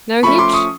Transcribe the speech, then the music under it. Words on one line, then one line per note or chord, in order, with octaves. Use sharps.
"No hitch?"
F3 A3 C#4 B5 C#6
C6 D6
C#6 D#6